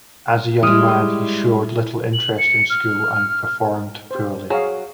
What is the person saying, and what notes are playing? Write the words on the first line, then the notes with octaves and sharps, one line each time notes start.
As a young man, he showed little interest in school and performed poorly.
G3 G#3 E4 D#6 F6
F#7
C#7
F6
G4 C5
F#3 G#4 C#5 F5